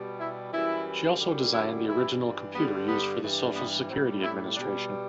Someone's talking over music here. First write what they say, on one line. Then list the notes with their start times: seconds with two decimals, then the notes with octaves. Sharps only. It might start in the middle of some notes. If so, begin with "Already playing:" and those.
She also designed the original computer used for the Social Security Administration.
Already playing: B2 G3
0.19 E4
0.52 F#2 E3 G3 E4
1.19 F#2 D3 G3
1.53 E4
1.87 G2 E3 G3 E4
2.54 G2 D3 G3 B3
2.88 B3
3.21 G2 E3 G3
3.56 B3
3.89 A2 G3 C4
4.22 E4
4.56 B2 G3 D4